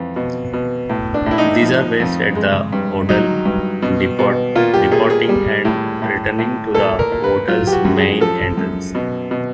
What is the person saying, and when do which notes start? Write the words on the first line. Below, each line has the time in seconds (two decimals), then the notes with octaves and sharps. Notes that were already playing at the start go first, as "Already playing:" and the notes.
These are based at the hotel, departing and returning to the hotel's main entrance.
Already playing: F2 E3
0.16 B2
0.53 B2
0.89 A2
1.14 D4
1.26 A2 E4
1.38 D#4
1.63 F3
2.00 F2
2.36 G#3
2.72 G2
3.09 F#3 D#4
3.45 G2
3.82 B2
4.19 B2
4.56 A#2 F4
4.74 G4
4.91 A#2 G#4
5.10 G#4
5.29 G3
5.65 A2
6.02 A2
6.39 A2
6.74 A#2 A4
6.99 A#4
7.12 A#2
7.24 B4
7.48 F#3 F4
7.67 G4
7.72 F#4
7.85 F#2
7.96 G#4
8.21 F3 A4
8.57 F#2
8.95 B2
9.31 B2